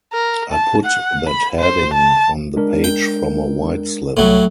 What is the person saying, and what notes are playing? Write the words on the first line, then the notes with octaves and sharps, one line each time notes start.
I put that heading on the page from a white slip.
A#4
A5
F#5
B5
C5
A5
G#3 D4 A#4
G5
C2 A2 F#3